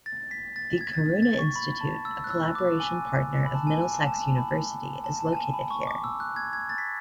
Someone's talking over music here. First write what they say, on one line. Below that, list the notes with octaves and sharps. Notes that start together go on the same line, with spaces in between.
The Karuna Institute, a collaboration partner of Middlesex University is located here.
A6
B6
A6
G#6
A6
A6
A6
C#6
B5
A5
E6
F#6
E6
D6
G#5
B5
A5
G#5
G#5
A5
A5
A5
B5
A5
A5
G#5
A5
B5
C#6
D6
E6
F#6
G#6
G#6
A6
B6